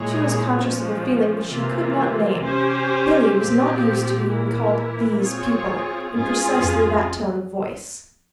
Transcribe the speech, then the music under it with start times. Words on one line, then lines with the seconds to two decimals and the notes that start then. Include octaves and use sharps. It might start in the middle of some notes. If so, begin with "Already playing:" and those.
She was conscious of a feeling which she could not name: Billy was not used to being called "these people" in precisely that tone of voice.
Already playing: A#2 G#3 E4 G#4 C#5
0.57 F3 G#3 C#4
1.49 C3 E3 A#3 F4
2.42 C#4 G4 C5
3.35 A#2 F3 C4 G4
4.28 E3 A#3 E4 A#4
5.19 C4 F4 G#4 C#5
6.12 G#2 C#4 F4 G#4
6.58 F2